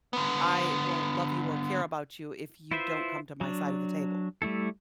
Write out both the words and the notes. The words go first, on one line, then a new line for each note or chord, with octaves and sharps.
I won't love you or care about you if you don't come to my side of the table.
D3 B3
E4 F4 B4 C5 E5
F#3 D4
G3 A3 E4 A4